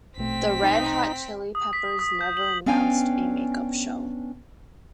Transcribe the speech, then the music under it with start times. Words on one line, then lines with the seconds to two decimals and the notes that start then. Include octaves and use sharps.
The Red Hot Chili Peppers never announced a make up show.
0.18 A#1 B2 A3 C4 B6
0.63 D#4
1.55 D#6
1.73 B6
1.99 D#6
2.21 G6
2.37 F#7
2.66 B3 C#4 D4 F5 G5 G#5